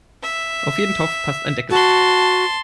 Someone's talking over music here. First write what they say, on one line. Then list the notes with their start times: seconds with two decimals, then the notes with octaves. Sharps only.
Auf jeden Topf passt ein Deckel.
0.23 E5
1.70 F#4 A5 C6